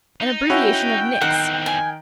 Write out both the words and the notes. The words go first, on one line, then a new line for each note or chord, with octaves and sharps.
An abbreviation of Nix.
D#4
C#4 E4 F#4 G5
E2 D#3 C4 F#5
G#5